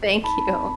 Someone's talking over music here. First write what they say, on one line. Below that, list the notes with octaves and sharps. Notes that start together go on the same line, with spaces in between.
Thank you.
D#4 A5 B5
C4
C4